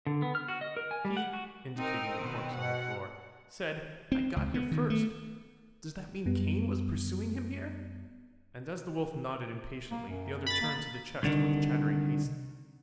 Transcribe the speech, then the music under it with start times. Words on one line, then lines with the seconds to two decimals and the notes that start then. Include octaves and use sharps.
"He," indicating the corpse on the floor, "said, 'I got here first.' Does that mean Kane was pursuing him here?" And as the Wolf nodded impatiently the other turned to the chests with chattering haste.
0.07 D3
0.22 B3
0.35 F6
0.48 F#4
0.61 D#5
0.77 A#4
0.91 G#5
1.05 G3
1.17 F#5
1.33 F#4
1.77 C4 D#4 A#4
2.18 B2 D#3
2.54 B2 F#5
4.12 C4
4.36 C#2
4.54 B3
4.72 D#3
4.90 A3
6.26 F#2 G3 B3
9.91 A#3
10.09 F#2
10.47 B5 A6
10.61 A#3
11.23 C2 D3 D#3